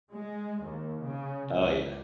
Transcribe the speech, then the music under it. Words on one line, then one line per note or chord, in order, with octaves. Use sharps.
Oh, yeah.
G#3
D#2
C#3
C#2